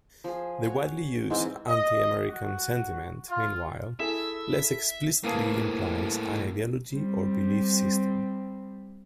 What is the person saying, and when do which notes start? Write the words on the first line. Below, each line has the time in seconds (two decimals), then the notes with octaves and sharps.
The widely used "anti-American sentiment", meanwhile, less explicitly implies an ideology or belief system.
0.24 F3 G#4
0.63 F#4 C#5
1.30 G#2 E3 G#3 C4
1.67 D#5
2.28 F#4
3.29 F4
4.00 E4 G#4 A4 E5
5.24 A2 A#3 G#4 B4 A5
6.93 G3 C4